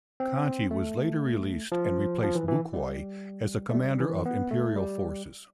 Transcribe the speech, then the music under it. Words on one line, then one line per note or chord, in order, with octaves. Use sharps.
Conti was later released and replaced Bucquoy as a commander of Imperial forces.
C4
A3
F3
F3
E3
E3
G3
A3
G3
E3
B3
A3
G3